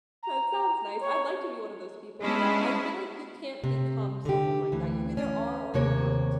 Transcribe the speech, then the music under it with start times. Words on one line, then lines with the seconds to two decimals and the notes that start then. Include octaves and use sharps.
That sounds nice. I'd like to be one of those people, but I feel like you can't become someone like that, you either are or you aren't.
0.23 A#5
1.00 C#5
2.21 G#3 B3 C#4 D4 E4
3.64 C3
4.25 D3 G4
4.72 D2 E3
5.17 C#4
5.74 D#2 C3 A#3 C#5